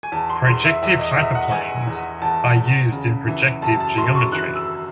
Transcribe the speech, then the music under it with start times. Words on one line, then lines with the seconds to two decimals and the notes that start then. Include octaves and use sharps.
Projective hyperplanes, are used in projective geometry.
0.03 G#5
0.12 E2 A5
0.30 C6
0.46 E2 C6
0.65 E5
0.82 E2 E5
0.99 D#5
1.17 E2 E5
1.35 F#5
1.52 E2 G#5
1.87 E2
2.22 E2 A5
2.57 E2
2.92 C#3
3.27 E3
3.62 F#2 A5
3.80 A5
3.97 F#2 C6
4.15 C#6
4.32 E3 F#6
4.56 E6